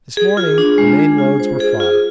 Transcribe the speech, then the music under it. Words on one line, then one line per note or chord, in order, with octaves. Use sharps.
This morning the main loads were fodder.
G#4
F4
D4
G#3
G#4
F4
C5
G#4
F4